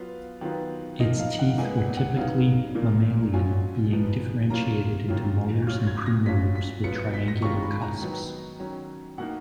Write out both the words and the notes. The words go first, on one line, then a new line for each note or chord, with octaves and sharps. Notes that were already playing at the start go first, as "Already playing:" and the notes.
Its teeth were typically mammalian, being differentiated into molars and premolars with triangular cusps.
Already playing: F#3 B3 F4 F5
D#3 F#3 B3 F4
F3 A#3 D#4 D#5
F5
F#5
A#2 G#3 B3 G#5
F#5
F#5
C#3 F#3 B3 D#4 F5
A#2 F3 A#3 F4
B2 F#3 C#4 F4 G#5
F3 B3 D#4
F#3 A#3 C#4 F4 A#5
D#3 F#3 A#3 C#4 F4
F#3 C#4 F4 F6
G#6
A#6
F#3 C#4 F4 B6
B6
F#3 B3 F4 C#7
C#7
B6
A#6
D#3 G#3 C#4 F4 C#6
B5
A#5
D#3 F#3 B3 D#4
D#3 F#3 C#4
B2 A#3 D#4 F#5